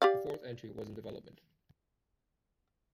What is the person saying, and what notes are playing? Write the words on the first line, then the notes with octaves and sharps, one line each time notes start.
The fourth entry was in development.
G4 D5 F5